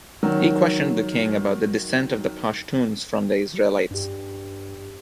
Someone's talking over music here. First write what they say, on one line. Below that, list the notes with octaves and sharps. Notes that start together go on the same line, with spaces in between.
He questioned the King about the descent of the Pashtuns from the Israelites.
D#3 F#3
G2 D4 G4